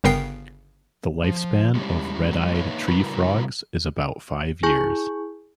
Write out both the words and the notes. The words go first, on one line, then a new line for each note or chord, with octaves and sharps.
The lifespan of red-eyed tree frogs is about five years.
G1 C#3 B3 A#4 G5 C7
F3
G3 G#3 C#4 E4 G4
F#3 G3 A3 C4
A#3 D#4 B4 C#5 E5
C#3 G3 E4 F#4 A#4 B4
E4 G#4 G#5 C#6 G6